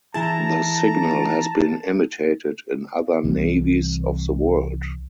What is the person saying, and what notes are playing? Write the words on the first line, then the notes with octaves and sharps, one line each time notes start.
The signal has been imitated in other navies of the world.
E3 E4 G#4 A5 A#5
C2 E3 G3 C4